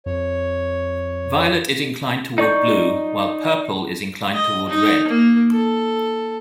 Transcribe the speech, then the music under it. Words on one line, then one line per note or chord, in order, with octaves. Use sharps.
Violet is inclined toward blue, while purple is inclined toward red.
F2 C#5
D#4 D5 C#6 G6
D#5
D#4
A#3
A4